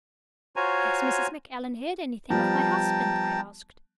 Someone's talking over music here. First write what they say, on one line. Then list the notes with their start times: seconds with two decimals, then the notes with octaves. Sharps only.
"Has Mrs. Macallan heard anything of my husband?" I asked.
0.56 F4 F#4 C5 C#5 G#5 A#5
2.30 F3 G3 B3 G5 A5 A#5